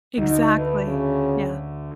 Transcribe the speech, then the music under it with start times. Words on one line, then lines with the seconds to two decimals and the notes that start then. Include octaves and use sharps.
Exactly. Yeah.
0.18 D2 D#4
0.58 B4
0.87 C#3